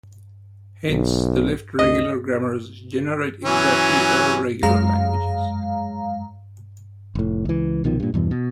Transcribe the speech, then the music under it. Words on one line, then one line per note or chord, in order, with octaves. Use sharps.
Hence, the left regular grammars generate exactly all regular languages.
B1
D2 D#5
E3 F#3 C#4
F#2 G#3 F5 A#5
F1 A2
C#2 E3
C2 B2 D#3 F3
G2 A#2
E2 G2 B2 E3
B2